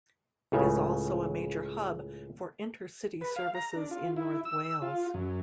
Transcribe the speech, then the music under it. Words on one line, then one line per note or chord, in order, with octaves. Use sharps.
It is also a major hub for inter-city services in North Wales.
C#2 A2 C#3
B4
F5
A#5
D4
F4
E4
E6
F4
F#2